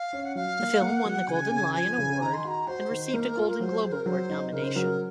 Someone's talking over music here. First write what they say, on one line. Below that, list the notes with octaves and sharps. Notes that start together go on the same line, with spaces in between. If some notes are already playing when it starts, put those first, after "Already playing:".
The film won the Golden Lion award and received a Golden Globe Award nomination.
Already playing: F5
C#4
F#5
F#3 F5
A#3
A#3 F#5
F#3
C#3 G#5
C#3
F3 G#5
C#3
D#3 A#5
C6
F#4 A#5
F#4 C5
D#3
A#3 A#4
F4
F#3 C5
G#4
A#4
F#3 C5
D#4
C#3 A#4
C5
F#3 A#4